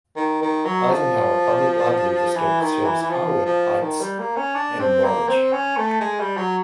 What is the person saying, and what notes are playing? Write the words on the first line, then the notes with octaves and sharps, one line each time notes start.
Eisenhower Public Library District serves Harwood Heights and Norridge.
D#3
D#3
F#3
F3
E3
D#3
E3
E3
F3
F3
D#3
G3
A#3
C#4
D4
C4
A#3
C4
C#4
A3
G#3
G3
F#3